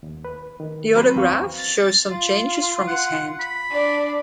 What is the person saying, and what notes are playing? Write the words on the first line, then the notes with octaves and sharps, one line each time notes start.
The autograph shows some changes from his hand.
D#2
B4
D#3
F#3 C4 B4
E2 F5 C#6
A6
F4
F#5
B5
D4 D5